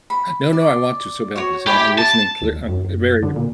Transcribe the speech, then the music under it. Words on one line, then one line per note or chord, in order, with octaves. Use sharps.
No, no, I want to so badly, so I'm listening clear uh, eh very
B5
D5
F#4 C#5
E4 G4 G#5 B5
A5
D#2
F#2
D3
A#2